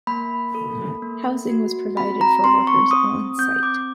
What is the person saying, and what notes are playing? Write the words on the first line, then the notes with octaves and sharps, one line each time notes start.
Housing was provided for workers on site.
A#3 B5
A4
A#3
F#4
C4 B5
A#5
C4 C6
C#6
C4 D#6
C4 G6
D6